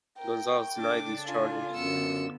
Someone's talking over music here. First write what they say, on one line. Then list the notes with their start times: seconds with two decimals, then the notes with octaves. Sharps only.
Gonzales denied these charges.
0.19 A#4 G5
0.77 C#3 D4 A4 D6
1.26 F4 G#5
1.75 F#2 D3 B3 E6 C#7